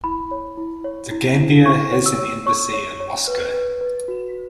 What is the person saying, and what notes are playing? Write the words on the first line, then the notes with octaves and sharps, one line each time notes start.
The Gambia has an embassy in Moscow.
E4 B5
C#5
E4
C#5
E4
E4
E4 C#6
C#5
E6
C#5
C#5 C#6
C#5
C#5
B4
B4
B4
F#4